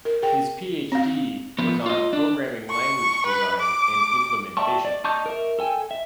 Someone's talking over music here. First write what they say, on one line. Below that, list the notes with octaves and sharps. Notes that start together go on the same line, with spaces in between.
His PhD was on programming language design and implementation.
A#4
G#4 G5
C4 F5
F3 B3
F4 D#5
D4
C#6
B4
D6
D5 E5 G5 A5 C#6
D5
D#4 A5 C#6 D6 G6
A#4 E5
A4 G5 G#5
E5